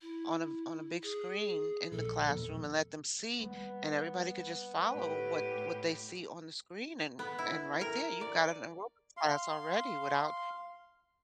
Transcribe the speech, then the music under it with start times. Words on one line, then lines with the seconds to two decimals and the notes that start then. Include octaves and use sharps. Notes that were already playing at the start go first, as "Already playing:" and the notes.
on a v on a big screen in the classroom and let them see, and everybody could just follow what what they see on the screen, and and right there, you got an aerobics class already without
0.02 E4
1.03 G#4
1.92 A#1 A4
2.30 E1 A#1
3.40 G3 A#3 B3
4.91 A2 G4 B4
7.19 B3
7.38 E4
7.81 A#4
8.21 D5
9.17 F5 C6